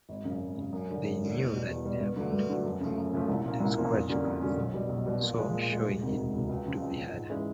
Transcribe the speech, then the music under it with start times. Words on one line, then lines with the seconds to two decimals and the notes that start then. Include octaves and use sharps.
They knew that diamond could scratch quartz, so showing it to be harder.
0.09 G#1
0.24 F#2 C#3
0.41 G#1
0.57 F#2 C#3
0.73 F#2
0.89 D3 G3
1.05 F#2
1.21 D3 G3
1.36 E2
1.53 B2 G3
1.69 E2
1.84 B2 G3
2.00 G2
2.16 D3 F#3 A3
2.33 G2
2.49 D3 F#3 A3
2.64 F#2
2.81 C#3 F3 A3
2.97 F#2
3.13 C#3 F3 A3
3.28 C2
3.46 A#2 F3 A#3 C#4
3.60 C2
3.77 A#2 F3 A#3 C#4
3.93 F2
4.10 D3 G3 A#3 C#4
4.25 F2
4.41 D3 G3 A#3 C#4
4.57 B1
4.74 B2 G3
4.89 B1
5.05 B2 G3
5.21 A#2
5.37 F3 G#3
5.54 A#2
5.69 F3 G#3
5.86 E1
6.01 D2 C3 D#3
6.18 E1
6.33 D2 C3 D#3
6.49 C#2
6.66 C#3 F3
6.82 C#2
6.97 C#3 F3
7.14 G#2
7.29 E3 G#3 C#4 E4